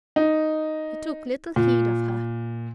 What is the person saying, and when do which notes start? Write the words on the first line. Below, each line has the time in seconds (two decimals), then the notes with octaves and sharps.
He took little heed of her.
0.16 D#4
1.56 A#2